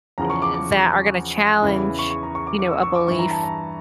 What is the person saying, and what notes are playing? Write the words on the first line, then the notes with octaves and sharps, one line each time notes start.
eh that are gonna challenge, you know, a belief
E2 C#3 F3 A#5
C#6
D6
D6
E2 C#3 E3
C#6
C#6
A#5
C#6
D6
D6
E6
C#6
D6
G2 E3 C#6
A#5
A5
A#5